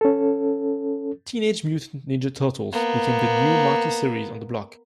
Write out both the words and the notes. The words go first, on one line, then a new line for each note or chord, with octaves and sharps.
"Teenage Mutant Ninja Turtles" became the new marquee series on the block.
C#4 A4
A#3 B3